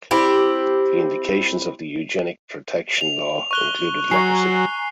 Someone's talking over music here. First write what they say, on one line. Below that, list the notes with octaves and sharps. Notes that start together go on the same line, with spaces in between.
The indications of the Eugenic Protection Law included leprosy.
C4 E4 G4
F7
C#6 F#6 G7
F#3 G#5 A#5 C#6 C7